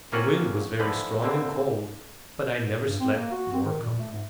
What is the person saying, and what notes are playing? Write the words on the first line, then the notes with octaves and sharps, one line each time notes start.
The wind was very strong and cold, but I never slept more comfortably.
A#3 C4 C#4 F4 F#4 F#5
D3 E3 F3 B4
A#2 D3 E3 C4
G2
C4
A#3
F#4
C4
D#3
A#2
A3
G#2